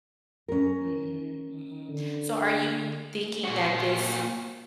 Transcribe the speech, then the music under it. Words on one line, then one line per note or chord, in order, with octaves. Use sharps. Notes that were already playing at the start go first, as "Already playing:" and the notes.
Mhm, mhm. So, are you thinking that this
C#4 A#4
D3
A#2 F#4